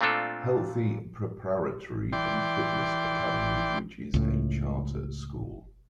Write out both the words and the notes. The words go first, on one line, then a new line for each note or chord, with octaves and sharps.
Healthy Preparatory and Fitness Academy which is a charter school.
A#2 A3 C4 D4 F4 A4
E3 D5 G5 C6
C#2 A2